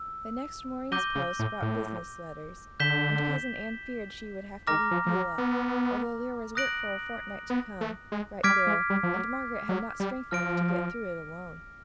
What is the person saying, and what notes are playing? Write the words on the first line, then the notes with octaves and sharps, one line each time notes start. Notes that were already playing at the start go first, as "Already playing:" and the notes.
The next morning's post brought business letters, and Cousin Ann feared she would have to leave Beulah, although there was work for a fortnight to come, right there, and Margaret had not strength enough to get through it alone.
Already playing: E6
F#3 D6 G6 A#6 D#7 G7
C#3
A2
A2
D3 G6 B6 E7 G7
D#3 A#5 D6 F6 A#6
F3
F3
F#3
B3
D#6 F#6 A#6 D7 F#7
B3
A3
G#3
G3 D6 F6 G#6 B6 D7
G#3
G3
F3
F#3
F#3
G3
F3 F6 A#6 D7